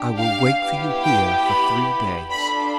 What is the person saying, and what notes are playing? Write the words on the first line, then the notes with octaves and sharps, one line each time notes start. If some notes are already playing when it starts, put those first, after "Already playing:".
I will wait for you here for three days.'
Already playing: D4 G4
F5
B3 E4 G4
G5
B5
D4 F4 A4 B5